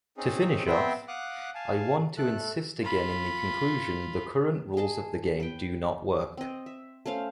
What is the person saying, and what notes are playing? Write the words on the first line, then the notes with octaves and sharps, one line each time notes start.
To finish off, I want to insist again in the conclusion: the current rules of the game do not work.
C4 C#4 D#4 G#4
B3 C4 C5 E5 G5
F5 F#5 D6 D#6 F#6
F5 G#5 A5
A3 A4 F#6
F4 B5
G#4 D#5 A5
B4 G5
C4 D#5
E5
A3 C#4 C5 F5